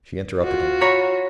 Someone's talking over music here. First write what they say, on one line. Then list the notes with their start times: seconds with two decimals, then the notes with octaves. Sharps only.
She interrupted him.
0.41 F4 F#4
0.81 C#5 A#5 B5